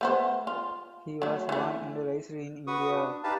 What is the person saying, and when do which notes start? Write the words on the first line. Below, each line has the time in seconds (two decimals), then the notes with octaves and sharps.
He was born and raised in India.
0.01 A3 B3 C5
0.47 F4
1.22 F#3 A3
1.49 E3 A3
2.67 F#4 B4 C#6 D#6
2.95 D4
3.24 D#4 G4 B4 F5 A5